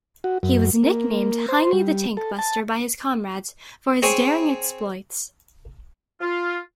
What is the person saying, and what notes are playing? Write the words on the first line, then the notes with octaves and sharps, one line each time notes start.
He was nicknamed "Heinie the tank-buster" by his comrades for his daring exploits.
F#4
F#2
A#3
C5
G3
A4
A5
C4 G#4 C#5 G#5
F4